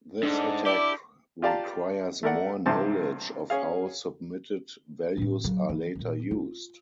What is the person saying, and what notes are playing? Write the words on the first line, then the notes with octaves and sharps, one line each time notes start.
This attack requires more knowledge of how submitted values are later used.
G#2 D4 A4
E4 G4 D5
F4 G4 D5 F5 A5 A#5
A3 E4 A#4 D5 F#5
A1 G2 C3 E3 C4 A5
C#4 G#4 F5
A2 C3
C#3 F#3
E3
A#2 D#3
F4